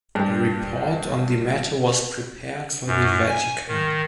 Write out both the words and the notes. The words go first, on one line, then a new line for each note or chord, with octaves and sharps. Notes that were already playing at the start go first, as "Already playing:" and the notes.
A report on the matter was prepared for the Vatican.
G2 G4
F#2
G#5
D#3